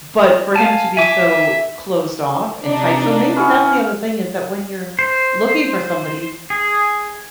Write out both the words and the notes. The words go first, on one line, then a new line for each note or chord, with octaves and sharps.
but for him to be so closed off and tight so maybe that's the other thing is that when you're looking for somebody,
F5 G#5 A5
E5 G#5 D6
C3 D4 D#4
B3 C#4 E4
C5
G#4